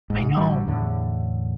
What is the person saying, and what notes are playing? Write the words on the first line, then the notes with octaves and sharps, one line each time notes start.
I know.
A1 G#2
A1 D3 F#3 G3
E2 A2 D3